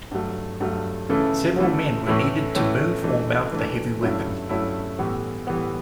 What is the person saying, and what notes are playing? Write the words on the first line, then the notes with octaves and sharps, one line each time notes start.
Several men were needed to move or mount the heavy weapon.
G2 F#3 A3
G2 F#3 A3
C#3 E3 A3 E4 A4
C#3 E3 A3 E4 A4
A2 E3 A3 C#4 E4
A2 E3 A3 C#4 E4
E3 A3 D4
E3 A3 D4
G2 F#3 A3 C#4 E4
G2 F#3 A3 C#4 E4
A2 E3 G3 B3
A2 E3 G3 B3